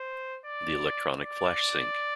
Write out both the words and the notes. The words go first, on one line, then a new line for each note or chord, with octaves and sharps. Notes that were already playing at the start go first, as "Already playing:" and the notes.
The electronic flash sync.
Already playing: C5
D5
D5